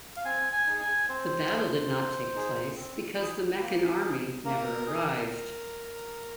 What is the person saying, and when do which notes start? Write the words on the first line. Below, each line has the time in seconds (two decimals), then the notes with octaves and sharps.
The battle did not take place because the Meccan army never arrived.
0.16 F5
0.25 C4 G#5
0.53 G#5
0.67 D#4 G#4
0.80 G#5
1.09 C4 C5
1.51 D#4 G#4
1.93 C4
2.34 D#4 G#4
2.77 C4
3.19 D#4 G#4
3.61 A#3
4.03 D#4 G#4
4.45 A#3 A#4
4.87 D#4 G#4